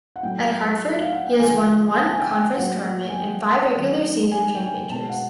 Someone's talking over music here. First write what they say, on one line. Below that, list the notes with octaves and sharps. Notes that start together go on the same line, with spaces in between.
At Hartford he has won one conference tournament and five regular season championships.
F#5
A2 F#3 A3 G5
E5
F5
F#5
G5
D3 F3 A#3 G#5
A5
G#5
G5
G#5
A2 F#3 A#3 F#5
G#5
G5
D#3 F#3 A3
G#5
G5
G#5
B2 G#3 B3 A5
F#5